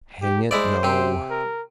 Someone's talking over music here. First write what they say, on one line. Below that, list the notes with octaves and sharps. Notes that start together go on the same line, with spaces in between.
"Hang it, no!"
G4
G#3 E4 C5 D5
C3 C4
A#4